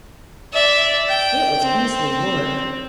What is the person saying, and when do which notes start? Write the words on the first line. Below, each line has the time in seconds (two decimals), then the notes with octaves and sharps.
It was beastly work!
0.53 D5 E5
1.09 G5
1.64 C4